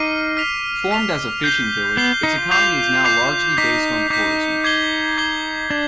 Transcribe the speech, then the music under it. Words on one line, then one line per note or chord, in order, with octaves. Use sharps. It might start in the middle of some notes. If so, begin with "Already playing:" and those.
Formed as a fishing village, its economy is now largely based on tourism.
Already playing: D#4 D6 F6 C7 D#7
F6 B6 F7
F6 B6 F7
G6 C7 G7
B3 G6 C7 G7
D#4
F4
D6 G6 C7 F7
D6 G6 C7 F7
D#4 D6 G6 B6
D#4 D6 G6 B6
D6 G#6 C7 G7
D6 G#6 C7 G7
D4 G#6